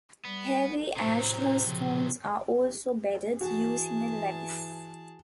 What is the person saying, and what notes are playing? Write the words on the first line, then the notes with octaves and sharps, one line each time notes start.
Heavy ashlar stones are also bedded using a lewis.
G3 B3
A2 C3 F#3 C5 A#5
A#2 C#3 F3
E3 F#4 G#4 A5